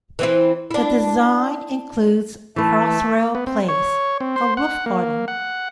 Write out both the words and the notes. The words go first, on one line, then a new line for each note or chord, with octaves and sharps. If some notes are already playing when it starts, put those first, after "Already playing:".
The design includes Crossrail Place, a roof garden.
E3 C4 E4
D4 E4
E3 A3 B4 A5
B3
C4
C#5
C4
C5
F#5
A#3
F#5